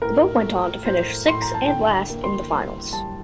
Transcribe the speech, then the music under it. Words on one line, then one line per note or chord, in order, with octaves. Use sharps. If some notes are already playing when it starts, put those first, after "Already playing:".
The boat went on to finish sixth and last in the finals.
A2 A#4
A3
A2 C5
A2 C6
A#5
A5
D3 G5
A#3
C6
G3
G3 A5